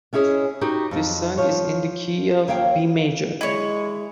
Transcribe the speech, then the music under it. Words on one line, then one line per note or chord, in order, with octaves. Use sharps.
This song is in the key of B major.
B3 C#4 E4 G#4 C#5 D#5
D#4 F#4 G4 B4
F2 F#3 D#4
F3 C#5
D#2 A#3 C#5 F5 G5
G#3 E4 C#5 D#5 C#6